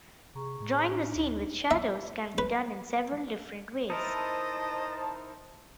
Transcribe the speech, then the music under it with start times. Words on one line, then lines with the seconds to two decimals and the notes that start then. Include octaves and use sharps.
Drawing the scene with shadows can be done in several different ways.
0.35 C3 G#4 A#5 C#6
0.60 A2
0.91 D4 D#4
1.16 D2
1.71 E5
2.38 B4
3.90 D#4 E4 A#4 C5 D#5 A5